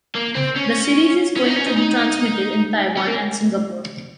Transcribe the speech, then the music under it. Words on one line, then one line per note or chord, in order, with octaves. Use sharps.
The series is going to be transmitted in Taiwan and Singapore.
A#3
C4
C#4
C#4
D#4
C#4
D#4
D#4
C#4
A#3